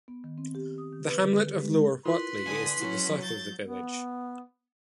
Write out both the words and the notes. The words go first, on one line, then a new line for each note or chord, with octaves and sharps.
The hamlet of Lower Whatley is to the south of the village.
B3
D#3
C4
G4
D#6
D#3
B4
D3
G3
G4
G#3
G#3
E4 F4 A#4 B4 B5 C6
D3 G#5 D#6
F#3 C#4 E4
G6 A6
B3